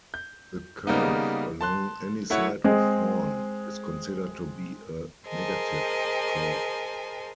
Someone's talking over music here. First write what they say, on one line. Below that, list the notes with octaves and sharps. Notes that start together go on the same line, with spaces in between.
The curve along any side of horn is considered to be a negative curve.
G6
C#3 G3 A#3 B3 D#4
A5 C6 F#6
A3 E4 F#4 C#5 F#5
G#3 C4 G#4
G#4 A#4 C5 D#5 G#5 A5